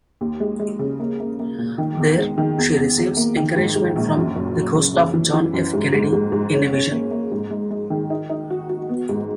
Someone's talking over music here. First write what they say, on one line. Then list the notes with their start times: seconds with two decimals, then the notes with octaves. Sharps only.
There, she receives encouragement from the ghost of John F. Kennedy in a vision.
0.21 D#2
0.40 G#3
0.60 G#3
0.79 C#3
1.00 A#3
1.20 A#3
1.40 A#3
1.59 A#2
1.78 D#3
1.99 E2
2.18 G#3
2.38 D#3
2.58 E2
2.77 E2
2.98 E2
3.17 A#3
3.37 D#3
3.56 G#2
3.76 G#2
3.96 A#1
4.15 F#2
4.36 F#1
4.55 F#3
4.75 C#3
4.94 C#3
5.14 E3
5.34 E3
5.54 F#2
5.74 G#2
5.93 G#2
6.13 G#2
6.32 G#2
6.52 C#4
6.73 C#4
6.92 A#3
7.11 A#3
7.32 G#2
7.51 G#3
7.70 G#3
7.90 D#3
8.10 D#4
8.30 D#4
8.50 F#4
8.69 F#4
8.89 B3
9.09 G#2